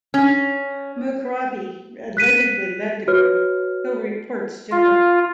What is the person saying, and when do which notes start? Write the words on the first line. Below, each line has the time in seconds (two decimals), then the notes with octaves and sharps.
Mughrabi allegedly led the group, though reports differ.
0.14 C#4
2.17 F#6 B6 D#7
3.08 F#4 B4 C#5 F6
4.72 F4